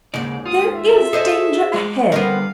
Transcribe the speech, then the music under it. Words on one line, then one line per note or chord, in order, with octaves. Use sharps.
There is danger ahead.
D#2 G#2 C#3 D5
F4 D#6
E5
G#4 A4 C5 D#5
G#3 D5
D3 G3 B3 C4 A#4 F5